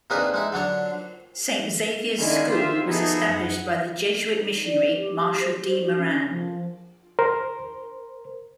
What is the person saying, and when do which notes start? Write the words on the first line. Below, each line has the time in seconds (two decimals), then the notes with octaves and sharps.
Saint Xavier's School was established by the Jesuit missionary Marshall D. Moran.
0.10 C3 A#3 D4 D#4 G#4 B4
0.34 G#3 D#4 E4
0.53 D3 F#3 D4 C#5
2.18 D#3 G#3 A#3 C#4 D4 E4
2.50 F4 G4 C5 E5 F5
2.84 F3 B3 D#4 E4 G#4 A4
3.27 F#2 F#5
4.66 D5
4.96 G4
5.40 C5
5.84 F#4
5.98 C#4
6.30 F3
7.19 A#4 C5